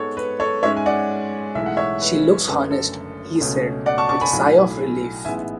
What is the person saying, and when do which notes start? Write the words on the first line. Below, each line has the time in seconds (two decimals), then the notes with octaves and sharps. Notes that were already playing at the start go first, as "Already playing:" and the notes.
"She looks honest," he said, with a sigh of relief.
Already playing: G#2 G#3 B3 A4 C#5
0.17 B4
0.40 A4 C#5
0.63 G#2 G#3 C#4 C#5 E5
0.77 G#5
0.86 D5 F#5
1.55 B1 A2 E3 G#3 E5
1.66 F#5
1.77 C#5 E5
2.01 B4
2.48 F#1 F#2 D3 A3 C#4 B4
2.71 A4
3.40 C#2 B2 A3 C#4
3.86 D5 F#5
3.98 A5 C#6
4.09 A5 C#6
4.21 G#5 B5
4.33 B1 A2 F#3
5.25 A1 G#2 E3 G#3 B3 E5 G#5